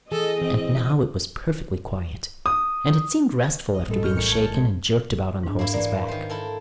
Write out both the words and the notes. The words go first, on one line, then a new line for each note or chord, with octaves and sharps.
And now it was perfectly quiet, and it seemed restful after being shaken and jerked about on the horse's back.
E3 G#4 A4 D#5
E3 C4
D#6
G1 D#5
A2 C3 G3 G#3 A4
C#6 F6 G6
A#1 A2 E3 A#4 G6 C#7
A5 G#6
G#3
G#2 D4
A#3 E4
E3 A#3 D5
D#3 C5
E4 A4 A#4